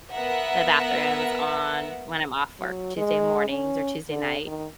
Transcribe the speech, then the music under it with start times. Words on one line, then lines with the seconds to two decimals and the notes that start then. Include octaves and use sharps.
the bathrooms on when I'm off work Tuesday mornings or Tuesday night.
0.13 B3 A#4 E5 F#5
2.60 F#3
2.97 G#3
3.49 C#4
4.10 D3
4.46 D#3